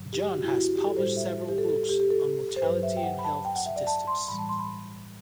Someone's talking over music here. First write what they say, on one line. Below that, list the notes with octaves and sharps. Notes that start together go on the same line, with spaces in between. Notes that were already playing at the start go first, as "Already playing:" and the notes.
John has published several books on mortality and health statistics.
Already playing: G2 D3 F#3
G4
F#4
E4
F#4
E4
F#4
G4
A4
A2 G3 C5
E5
G4
A4
A4
G4
G4
A4
C5
G2 F#3 B4
E5
G5
F#5
B5
A5
G5
F#5
E5
D5
A5
C6
A2 E3 G3 B5
A5
C6
B5